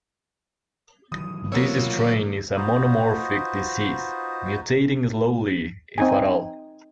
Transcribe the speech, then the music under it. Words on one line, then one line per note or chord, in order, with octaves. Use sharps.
This strain is a monomorphic disease, mutating slowly if at all.
D#3 E3 F#3 D#6
A#3 B3 F4 C#5 E6
D#4 F4 F#4 B4 C5 D#5
C4 D#4 G#5